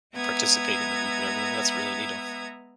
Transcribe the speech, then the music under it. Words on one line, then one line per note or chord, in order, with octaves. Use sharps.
Participate in the wreath and everything, that's really neato.
G#3 B3 E5 A#5 D#6 G#6